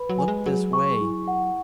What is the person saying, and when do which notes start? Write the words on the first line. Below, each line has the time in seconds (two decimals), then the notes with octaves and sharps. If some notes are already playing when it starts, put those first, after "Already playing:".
Look this way!
Already playing: B4 B5
0.09 F#3
0.18 G#5
0.28 G#3
0.46 F#3 G#4
0.73 C#6
1.01 E4
1.28 F#5